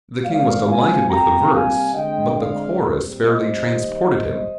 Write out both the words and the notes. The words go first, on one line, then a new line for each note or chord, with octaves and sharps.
The King was delighted with the verse; but the chorus fairly transported him.
D#3 G#3 C4 D5 F5
F5 G#5
C3 G3 A#3 G5 A#5
F5 G#5
D3 G#3 C4 D#5 G5
D5 F5
A#2 G3 C4
C5 D#5
D#3 G3 A#3